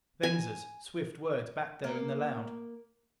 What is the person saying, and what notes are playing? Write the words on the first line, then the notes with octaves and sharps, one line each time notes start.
Venza's swift words back there in the lounge.
G#5
A#3 A#4